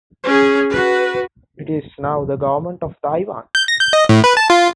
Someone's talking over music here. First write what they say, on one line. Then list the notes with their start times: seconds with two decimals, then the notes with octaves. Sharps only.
It is now the government of Taiwan.
0.24 C#4 G#4
0.70 F#4 B4
3.55 G6
3.68 A#6
3.80 G6
3.93 D#5
4.09 A2
4.24 B4
4.37 A5
4.50 F4